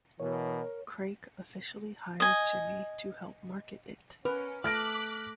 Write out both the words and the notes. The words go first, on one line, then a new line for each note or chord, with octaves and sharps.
Crake officially hires Jimmy to help market it.
B2 E3 A#4 C#5
D#5 G#5
C#4 A#4 B4
A3 D6 F6 F#6 A#6 B6 D7